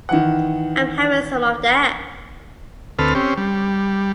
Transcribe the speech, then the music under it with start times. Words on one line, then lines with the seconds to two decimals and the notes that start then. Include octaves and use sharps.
I'm having some of that.
0.09 D#3 E3 F#5
2.99 D2 C4 A4 B4 F6
3.15 C4 C#4 G4
3.37 G3